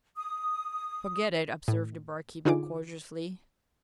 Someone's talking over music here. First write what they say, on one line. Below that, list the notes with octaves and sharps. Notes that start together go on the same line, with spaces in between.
"Forget it!" observed the barkeeper cordially.
D#6
A2
D3 D#4 F4 G#4 D6